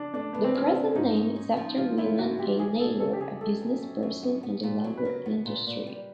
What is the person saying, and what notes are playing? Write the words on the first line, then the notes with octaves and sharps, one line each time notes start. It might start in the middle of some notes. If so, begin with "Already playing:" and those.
The present name is after William A. Naylor, a businessperson in the lumber industry.
Already playing: D4
A3 D4
A3 B3
C4
F3 C#4
D4
G#2 D#4
C#4
C#4
F3
G#3 F4
F3 E4
G#2 F#4
F3 G4
E3 G#4
E3 A4
C#3 A4
G4
F#2 G#4
F#2 A4
F#2
F#2
F#2
B3
B3
A#2
F#3
B4
F#3 A#4
B3
A#2
A#2
G3